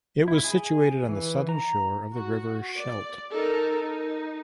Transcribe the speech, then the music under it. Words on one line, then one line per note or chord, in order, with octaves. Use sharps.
It was situated on the southern shore of the river Scheldt.
E4
G#4
E3
A#5
F#4
D5
D#4 A4 A#4
D#4